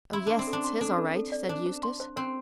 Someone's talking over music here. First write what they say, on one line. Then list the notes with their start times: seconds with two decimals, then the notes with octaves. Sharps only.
"Oh, yes, it's his all right," said Eustace.
0.13 E4 C6
0.27 D4 C6
0.39 C4
0.47 A4
0.53 D4
0.64 C6
0.81 D4 A4
0.98 A4
1.15 A4
1.32 D5
1.49 D4 C5
1.66 C5
1.83 C6
2.00 C5
2.16 C4 C5